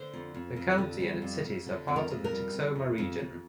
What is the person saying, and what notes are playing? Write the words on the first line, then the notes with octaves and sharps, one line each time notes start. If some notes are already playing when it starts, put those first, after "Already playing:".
The county and its cities are part of the Texoma region.
Already playing: D3 C5
F2
F2
F2
D3
G3
F2
F2
D3
F2
A#4
F2
A#4
G3
F2
F2
F2
F2